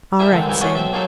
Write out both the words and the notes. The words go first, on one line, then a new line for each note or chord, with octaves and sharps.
"All right, Sam."
E4 G#4 A#4 C5 E5
D3 D#3 G#3 C4
C2 E3 D#4 E4 G#5
G#3 A3 B3 C#4 D4 F#4
B1 C4 C5 E5
F#3 A#3 D#4 G#4 A4 C5